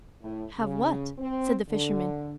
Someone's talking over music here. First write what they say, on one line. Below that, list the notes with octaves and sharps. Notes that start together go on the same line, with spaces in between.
"Have what?" said the fisherman.
A2
C#3
C4
D3